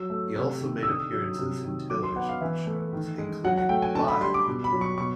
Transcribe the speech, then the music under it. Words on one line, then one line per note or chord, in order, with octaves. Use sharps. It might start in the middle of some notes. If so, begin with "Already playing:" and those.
He also made appearances in television shows, including Live!
Already playing: F#3 E6
A3
C3
D#3
E6
D3 D#6
F#3
C3
D#3
F#3 D6
C6
B3 F#5
F5
E3 E5
A3
D#3
G#3
F#3 F#5
F#5
A3 G5
G#5
D3 A5
B5
G3 C6
D6
B2
B5
F#3
C#6
B2 C#6